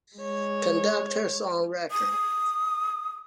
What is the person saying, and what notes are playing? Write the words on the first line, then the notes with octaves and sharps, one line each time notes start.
"Conductors on Record".
G#3 C#5
D#6